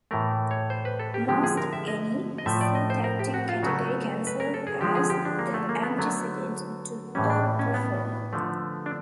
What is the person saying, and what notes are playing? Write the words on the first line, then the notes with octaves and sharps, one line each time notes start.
Most any syntactic category can serve as the antecedent to a proform.
A2 E3 A3 A#4
C#5
C5
B4
A4
G4
D3 F3 G#3 G4
G#4
A#4
E5
D#5
D#5
A2 F3 A3 E5
D5
D#5
C5
A#4
G4
F#4
F4
C#3 F#3 A3 F#4
B4
A#4
A4
G#4
D3 F3 G#3 G4
G#4
G4
D4
A#3
A3
A#3
B3
D3 F#3 A3
A2 E3 G3 C#4
D4
C#4
B3
D3 F3 A3
D4